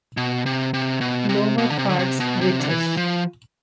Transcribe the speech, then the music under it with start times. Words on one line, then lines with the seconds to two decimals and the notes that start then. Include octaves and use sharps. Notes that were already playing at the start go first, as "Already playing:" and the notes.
Lower parts whitish.
0.17 B2
0.46 C3
0.74 C3
1.01 B2
1.29 C3
1.58 B2
1.71 D3
1.78 C3
1.89 D3
1.99 C3
2.20 B2
2.41 C3
2.60 D3
2.69 E3
2.97 F3